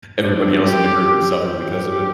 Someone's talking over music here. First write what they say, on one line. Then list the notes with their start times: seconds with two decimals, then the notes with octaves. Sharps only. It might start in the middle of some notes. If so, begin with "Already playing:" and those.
everybody else in the group would suffer because of it.
0.20 D4
0.65 G4
1.56 G4